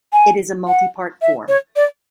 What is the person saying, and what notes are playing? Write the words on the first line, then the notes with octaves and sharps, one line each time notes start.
It is a multipart form.
G#5
F#5
E5
C#5
D5